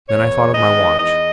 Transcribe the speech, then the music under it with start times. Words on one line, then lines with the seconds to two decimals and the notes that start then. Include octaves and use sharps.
Then I thought of my watch.
0.09 E2 C#5
0.54 D#3 G#3 B3 D#5
0.98 E2 D#5